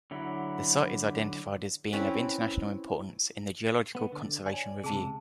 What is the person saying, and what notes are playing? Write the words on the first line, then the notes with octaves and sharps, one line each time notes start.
The site is identified as being of international importance in the Geological Conservation Review.
D3 F#3 E4
C4 C#4 E4 B4
B3 B4
D3
C#5 D5 G#5
C#2 C3 G#4 A5